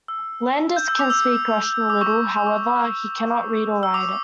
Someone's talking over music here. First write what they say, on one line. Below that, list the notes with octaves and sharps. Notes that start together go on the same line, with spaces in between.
Landers can speak Russian a little; however, he can not read or write it.
E6
G6
E6
D6
E6
D6
C#6
D6
E6
D6